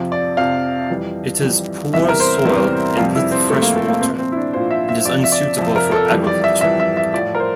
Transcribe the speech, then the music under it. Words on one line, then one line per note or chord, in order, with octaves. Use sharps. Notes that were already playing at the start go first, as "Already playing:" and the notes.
It has poor soil and little fresh water, and is unsuitable for agriculture.
Already playing: F2 C3 F3
D5
F2 C3 F3 F5
F2 E3 G3
F2 E3 G3
E2 C3 E3 G3 E5
A#4
C5
E2 C3 E3 G3
F2 C3 G3 F4
E4
C4
F2 C3 G3 A3
A#3
A3
A#3
A#2 F3 C4
C4
E4
D4
A#2 F3 C5
E5
E5
F2 C3 F3 D5
E5
D5
F2 C3 F3
A#4
A4
F2 E3 G3
D5
E5
F2 E3 G3 E5
E5
E5
A2 F3 D5
A#4
C5